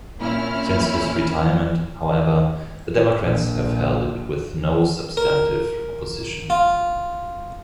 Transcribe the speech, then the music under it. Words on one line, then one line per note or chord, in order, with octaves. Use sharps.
Since his retirement, however, the Democrats have held it with no substantive opposition.
A#2 C4 C#4 E4 F6
A#1
A#4
F4